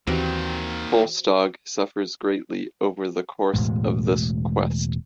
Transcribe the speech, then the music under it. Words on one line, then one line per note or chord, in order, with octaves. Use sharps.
Volstagg suffers greatly over the course of this quest.
D#2 A#2 D#3 E3 C4 F#4 G4
E1 A2 G#3